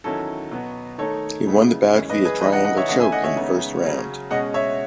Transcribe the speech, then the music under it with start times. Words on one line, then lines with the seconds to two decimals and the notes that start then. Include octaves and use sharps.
He won the bout via triangle choke in the first round.
0.04 E2 D#3 F#3 C#4 E4 A4
0.51 B2 F#3 B3
0.98 D#3 A3 D#4 A4 C#5
1.46 C#3 G#3 B3 E4
1.94 F#2 E3 G#3 C#4
2.10 B4 D#5
2.25 G#4 B4
2.41 C#3 E3 G#3 D#4 B4 D#5
2.53 D#5 F#5
2.65 D#5 F#5
2.77 C#5 E5
2.88 E2 D#3 A3 C#4 E4 D#5 F#5
3.00 E5 G#5
3.12 D#5 F#5
3.23 C#5 E5
3.36 C#3 G#3 B3 D#4
3.83 C#3 F#3 C#4
4.31 B2 G#3 C#4 D#5 F#5
4.54 C#5 E5